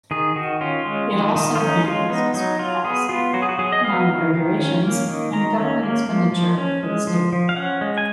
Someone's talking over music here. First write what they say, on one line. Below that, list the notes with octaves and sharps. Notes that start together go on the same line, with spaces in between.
It also handles fiscal policy, economic regulations and government expenditure for the state.
D#3 G#4
D#3 F#4
C#4 F4
G#3
D#3
D#3
F4
C#4 D#4
G#3 F4
B3 D#4
F#3 D#4
F#3 F4
B3 G#4
B3 F4
F#3 F#4
G#4
F#4
F#3 G#4
D#5
B3 F5
D#3
D#3
C#4
A#3
D#3
D#3 A#5
C#4
A#3
F3
F3
C#4
G#3
F3
F3
F5
C#4 F#5
G#3
G#5